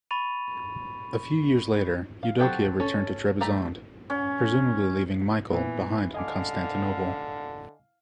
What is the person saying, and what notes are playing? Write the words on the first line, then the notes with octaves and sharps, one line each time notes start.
A few years later Eudokia returned to Trebizond, presumably leaving Michael behind in Constantinople.
B5 C#6 A6 D#7 F7
F5
F#3 C4 F#4 G4 A4
C#4 A4
G3 A3 A#5 B5
C#4
A#2 E3 B3
D3 D#5 F5 G#5 D6